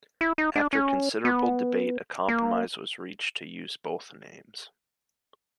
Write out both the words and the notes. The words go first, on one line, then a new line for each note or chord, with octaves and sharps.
After considerable debate a compromise was reached to use both names.
E4
D#4
D4
C#4
B3
A#3